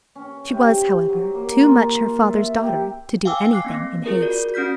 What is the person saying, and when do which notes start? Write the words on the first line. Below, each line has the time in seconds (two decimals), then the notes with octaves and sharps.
She was, however, too much her father's daughter to do anything in haste.
0.15 C#4
0.49 C3
1.09 F#3
1.35 A#3
1.59 F4
1.97 F4
2.30 E5
2.58 G4
3.25 F5 G5 G#5 D6 E6
3.51 D6 F#6 C7
3.65 A#3 C4 A#6
4.06 F4 G#4 A#4
4.22 F#4 D5
4.54 C#4 F#4 F6 G6 B6